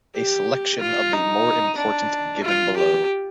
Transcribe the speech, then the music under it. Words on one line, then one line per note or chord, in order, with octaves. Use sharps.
A selection of the more important given below.
G4
F4
D#4
D4
F4
G4